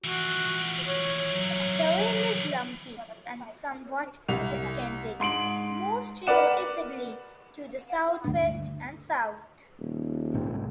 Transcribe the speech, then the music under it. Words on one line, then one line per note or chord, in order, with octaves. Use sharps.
The rim is lumpy and somewhat distended, most noticeably to the southwest and south.
E3 F3 F#4
C#5
F#3
C2 F7
G#2 C6 D7 F#7
A#4 B4 D5 F#5 E7
D2 G2
D#1
A#1 G#2 C3